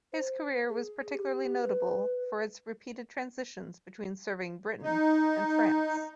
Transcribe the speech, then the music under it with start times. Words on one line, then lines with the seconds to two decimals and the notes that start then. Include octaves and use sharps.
His career was particularly notable for its repeated transitions between serving Britain and France.
0.13 C5
0.69 G#4
1.12 G4
1.62 B4
4.82 D#4